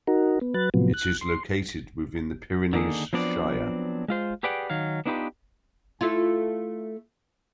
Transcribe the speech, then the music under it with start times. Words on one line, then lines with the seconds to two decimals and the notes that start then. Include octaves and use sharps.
It is located within the Pyrenees Shire.
0.07 D#4 F#4 A#4
0.41 B3
0.54 F#3 B4 F#6 A6
0.74 A2 C3 F3 F#3 B3
0.94 F#6
1.21 C6
2.73 D3 D#3 A#3 G#4 A4
3.13 F3 F#3 B3 C4 D4 D5
4.08 G#3 F4 C5
4.43 G4 G#4 B4 D5 F#5 G5
4.70 D#3 F#3 F5
5.06 B3 D4 D#4 F4 G4 B4
6.01 A3 E4 F4